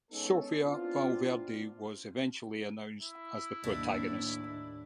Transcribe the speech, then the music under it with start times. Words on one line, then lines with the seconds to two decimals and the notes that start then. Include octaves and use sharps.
Sophia Valverde was eventually announced as the protagonist.
0.11 G#3 B3 C#4 D#4 A4
0.63 B3 C4 D4 E4 F4
3.03 E4
3.64 D#2 A2 D4